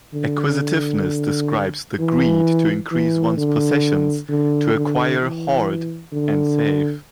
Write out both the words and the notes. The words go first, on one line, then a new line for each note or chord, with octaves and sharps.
Acquisitiveness describes the greed to increase one's possessions, to acquire, hoard and save.
D3
E3
E3
D3
D3
D3
E3
D3